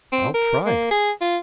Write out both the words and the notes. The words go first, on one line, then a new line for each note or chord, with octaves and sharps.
I'll try it.
C4
A#4
A#3
G#4
F4